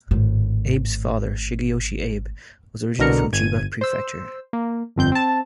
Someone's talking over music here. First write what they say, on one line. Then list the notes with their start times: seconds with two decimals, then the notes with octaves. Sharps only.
Abe's father, Shigeyoshi Abe, was originally from Chiba Prefecture.
0.11 G#1 A2
2.99 C2 B2 D3 A#4 A#5 C#7
3.32 G1 G#6 D#7
3.81 C5 E6
4.53 A#3
4.96 G1 F2 C4 G6
5.12 C4 A5